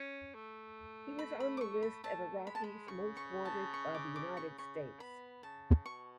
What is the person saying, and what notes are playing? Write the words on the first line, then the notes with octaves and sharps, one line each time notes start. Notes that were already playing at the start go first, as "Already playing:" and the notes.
He was on the list of Iraqis most wanted by the United States.
Already playing: C#4
A3
B5
B5
D6
C#6
B5
A3 A5
G#3 B5
A5
B5
C#3 C#6
C#6
A5
C#6
D6
D6
C#6
C#3 C#6
B3 B5
C#3 A5
B2 C#6